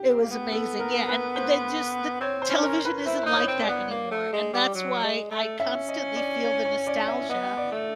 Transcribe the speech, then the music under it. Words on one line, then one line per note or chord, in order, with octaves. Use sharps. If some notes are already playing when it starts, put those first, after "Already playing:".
it was amazing, yeah, and th just the television isn't like that anymore, and that's why I constantly feel the nostalgia
Already playing: G4
C4
A#3
B3
A4
A#4
B4
C5
C4 C#5
C5
C#4
A#4
B4
E4 C5
D#4 C5
C#5
C4
D5
B3
A#3
A3
G#3
G3
F#3
G#3
A3
C#4 E5
D#5
D5
C#5
C#5
D5
E5
B3 D#5
D5
A3